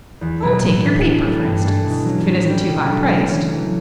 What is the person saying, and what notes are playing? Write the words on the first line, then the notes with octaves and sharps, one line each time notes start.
"I'll take your paper, for instance--if it isn't too high priced."
E2
B2 F#3 B3 E4
A2
E3 A3 D4 A4
E3
G3 D4 A4
G2
E3 A3 D4 A4
B2
F#3 C#4
A2
G3 C#4 G4 D5
B2
F#3 B3 D4 A4
C#3
E3 A3 C#4
F#3